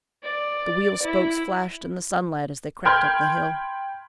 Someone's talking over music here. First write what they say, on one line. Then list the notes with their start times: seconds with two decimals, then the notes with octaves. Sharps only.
The wheel spokes flashed in the sunlight as they crept up the hill.
0.23 D5
1.02 E4
2.85 G5 B5 C6 F6 G6 G#6